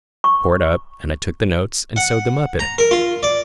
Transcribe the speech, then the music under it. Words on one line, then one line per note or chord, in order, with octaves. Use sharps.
I tore it up, and I took the notes and sewed them up in it.
C#6
F#5
A#5
A#4
F4
D5